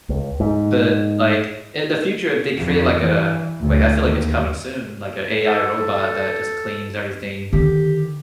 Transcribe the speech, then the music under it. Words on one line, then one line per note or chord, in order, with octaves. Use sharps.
but like in the future if they create like a like I feel like it's coming soon, like a AI robot that just cleans everything.
C#2
G#2
F2
E3
D2
D#2
A4
D3 D#3 G4